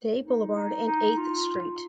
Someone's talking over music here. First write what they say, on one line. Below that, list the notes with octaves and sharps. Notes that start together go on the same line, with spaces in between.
Day Boulevard and Eighth Street.
D#4
D#4
D#4
F4